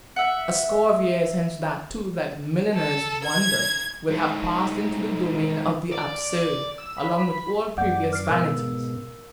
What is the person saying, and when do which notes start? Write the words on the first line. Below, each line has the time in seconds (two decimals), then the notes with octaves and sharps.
A score of years hence that too, that milliner's wonder, will have passed into the domain of the absurd, along with all previous vanities.
0.16 E5 F#5
2.74 A4
3.24 G#6
4.10 G#2 A3
5.92 D5
6.78 E6
6.98 B5
7.78 F#2 D5 F#5 G6
8.13 F6 C7
8.30 G#2 B2 A#4 F5 E6